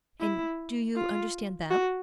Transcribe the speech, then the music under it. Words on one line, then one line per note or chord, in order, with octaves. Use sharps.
"And do you understand them?"
E4
F4
F#4